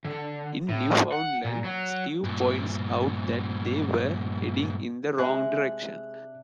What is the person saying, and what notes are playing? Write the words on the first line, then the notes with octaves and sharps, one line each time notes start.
In Newfoundland, Steve points out that they were heading in the wrong direction.
D3
A2
F#5
A#2
F#3
G2 A#2
C3 G#3 D4 E5 A5 F#6